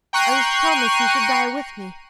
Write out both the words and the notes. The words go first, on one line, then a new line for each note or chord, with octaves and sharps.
I was promised he should die with me.
G5 A#5 C#6 F#6 C7 D#7